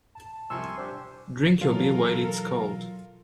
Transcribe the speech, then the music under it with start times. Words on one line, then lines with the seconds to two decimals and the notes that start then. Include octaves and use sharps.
Drink your beer while it's cold.
0.15 A5
0.50 C2 C3 F3 G#5 C6 C#6 E6
0.78 D4 G4 C5
1.61 B2 E3 F#3 F4 A4 A#4 F5